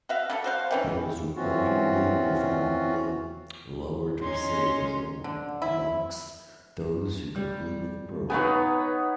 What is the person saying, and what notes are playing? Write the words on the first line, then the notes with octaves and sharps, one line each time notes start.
There was reportedly a profoundly lowered recidivism amongst those who completed the program.
F#4 E5 F5
D3 A4
F#4 C5 F5
D#3 E3 C#4
E3 C4 C#4 F4 F#4
C#4 D#4 C6
D3
E4
G3
B3 D#4 B4 C#5 F5 G#5